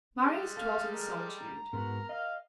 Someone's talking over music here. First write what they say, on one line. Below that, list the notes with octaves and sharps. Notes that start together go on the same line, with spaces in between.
Marius dwelt in solitude.
G3 G#3
G#4 A4 F5
A#4
A#5
G#2 B3 F#4 A#4
D#5 F5